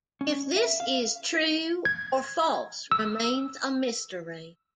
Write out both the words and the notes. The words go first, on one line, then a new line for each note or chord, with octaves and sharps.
If this is true or false remains a mystery.
C#4
E5
F5
G#6
E6